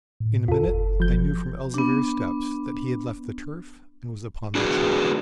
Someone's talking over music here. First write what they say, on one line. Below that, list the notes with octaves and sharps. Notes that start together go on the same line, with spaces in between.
In a minute I knew from Elzevir's steps that he had left the turf and was upon the chalk.
A2
E2 F4 A4
F#1
F3 G6
B3 D4
D4 F#4 G#4 D5